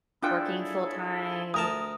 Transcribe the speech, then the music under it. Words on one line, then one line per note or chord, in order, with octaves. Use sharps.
working full time
D4 E4 F4 G#4 A4 G5
D2 A#4 A5 D#6